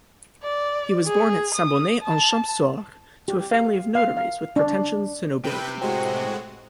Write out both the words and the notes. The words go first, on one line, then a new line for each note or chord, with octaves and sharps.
He was born at Saint-Bonnet-en-Champsaur, to a family of notaries with pretensions to nobility.
D5
G#4
D#6
A5
G4
F5
F5
F5
D4
C3 B4 G5
A2 G#3 C4 F#4